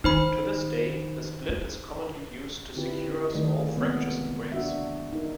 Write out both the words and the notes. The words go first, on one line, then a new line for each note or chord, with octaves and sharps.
To this day, the splint is commonly used to secure small fractures and breaks.
D#3 D#4 C5 B5
F4
D3 C4 E4 F4 G4 B4
D#3 A3 D5 D#5
C3 G#3 A#3 B3
D4 F#4 E5
D#4 A#4